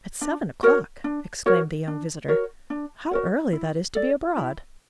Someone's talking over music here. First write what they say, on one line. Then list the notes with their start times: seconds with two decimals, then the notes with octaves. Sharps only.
'At seven o'clock!' exclaimed the young visitor; 'how early that is to be abroad!
0.21 D4
0.63 F#4 A#4 C#5
1.04 D4
1.46 F#4 A#4 C#5
1.88 D4
2.28 F#4 A#4 C#5
2.70 D4
3.11 F#4 A#4 C#5
3.53 E4
3.95 A4 D5
4.37 E4